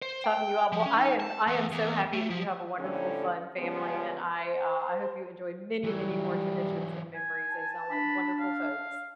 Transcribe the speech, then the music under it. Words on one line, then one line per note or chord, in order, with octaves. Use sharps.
toughen you up. Well, I am I am so happy that you have a wonderful, fun family, and I, uh I hope you enjoy many, many more traditions and memories, they sound like wonderful folks.
C5
G5
F3
C#4
D#4
A5
E2
E2
A3
F3
A2 D3 F3 G3 C#4 G4
C#3 F3 G3 G#3 B3 C#4
C5
E3 F#3 G3
G#5
A5
D4 B5
F5